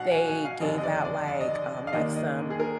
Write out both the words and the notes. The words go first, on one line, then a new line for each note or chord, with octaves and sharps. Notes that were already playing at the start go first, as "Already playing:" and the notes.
they gave out, like, um, like, some
Already playing: B1 B2 F#3 F5 F#5
G#5
G#5
F5
F1 D#2 D3 D#5
D#5
D5
D5
D5
D#5
D5
F5
D#2 D#3 A#3 D4 D#5
D#5
G#4
A#4